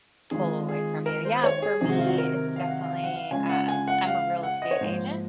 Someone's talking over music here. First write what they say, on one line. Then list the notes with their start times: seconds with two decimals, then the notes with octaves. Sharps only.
pull away from you. Yeah, for me, it's definitely um, I'm a real estate agent,
0.31 D#3 G#3 C4 F4 G#4
0.69 G#4
1.06 A#4
1.25 C5
1.44 C#5
1.62 G#4
1.81 C3 D#3 F#3 C4 G#4
1.89 F#4
1.98 F4
2.07 F#4
2.18 A#4
2.56 F5
2.68 F#5
2.79 F5
2.93 F5
3.04 F#5
3.14 F5
3.31 C#3 G#3 C#4 F4 G#5
3.49 F#5
3.68 G#5
3.88 F#5
4.06 F5
4.43 F#5
4.62 D#5
4.71 C#5
4.81 G#2 F3 A#3 C5